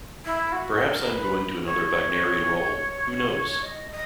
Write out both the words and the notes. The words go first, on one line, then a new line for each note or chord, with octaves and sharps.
Perhaps I am going to another Wagnerian role - who knows?
E4
F#4
A#4
B4
C#5
D#5
D#5